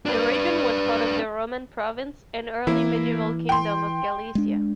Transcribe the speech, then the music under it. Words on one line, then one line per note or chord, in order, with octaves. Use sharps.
The region was part of the Roman Province and early medieval Kingdom of Gallaecia.
D4 B4
E3 A#3 E4
G5 C6
G#3 D4